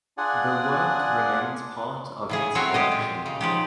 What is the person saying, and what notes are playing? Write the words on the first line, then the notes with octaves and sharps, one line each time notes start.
The work remains part of its collection.
D4 F4 G#4 D5 F#5 G#5
A2 C#3 G#4
A2 F#3 C4 C#5 E5 F5
G#3 G4 D#5
A#2
C#3
F3 D#4 G4